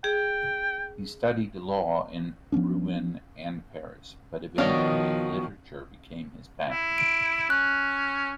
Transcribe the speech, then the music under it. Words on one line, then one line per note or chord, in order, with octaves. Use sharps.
He studied law in Rouen and Paris, but eventually literature became his passion.
G#4 G5
F3 B3 C#4 D4
D#3 F3 B3 D4 F#4 C#5 D#5 F5
E4
D7
C#4 F#6